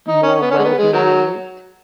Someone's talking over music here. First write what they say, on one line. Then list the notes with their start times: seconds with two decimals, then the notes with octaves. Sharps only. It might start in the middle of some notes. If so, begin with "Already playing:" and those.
more well-behaved?
0.08 D#4
0.23 C#4
0.42 B3
0.51 C#4
0.59 G#3
0.64 B3
0.78 G#3
0.93 D#3 F#3